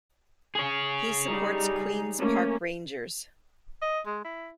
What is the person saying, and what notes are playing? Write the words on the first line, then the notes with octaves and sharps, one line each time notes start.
He supports Queens Park Rangers.
G#4 C#5
G3 D#4
A3 A#3 C#4
D#5
G#3
E4